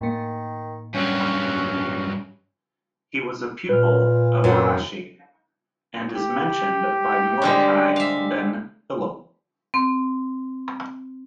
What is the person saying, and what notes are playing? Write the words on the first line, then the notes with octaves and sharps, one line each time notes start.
He was a pupil of Rashi, and is mentioned by Mordecai ben Hillel.
A2 D#3 A#3
G2 F#3 C#4
A#2 B4 F6
F#2 C3 D#3
G4
D3 G3 G#3
E5 F5
C4